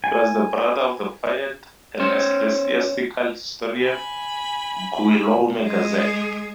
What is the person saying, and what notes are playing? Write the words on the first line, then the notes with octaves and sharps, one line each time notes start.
He was the brother of the poet and ecclesiastical historian Guillaume Gazet.
G#5
C#4 C5
G#5 B5
G#3 G#4